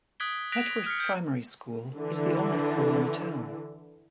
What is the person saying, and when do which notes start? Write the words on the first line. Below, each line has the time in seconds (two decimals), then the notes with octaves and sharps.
Petworth Primary School is the only school in the town.
0.20 D#6 F#6 G#6 B6 D7 G7
0.52 F#6 A#6 B6 D7 F7
0.86 F6 B6 C#7
0.99 F6 G6 D7
1.98 D3 E3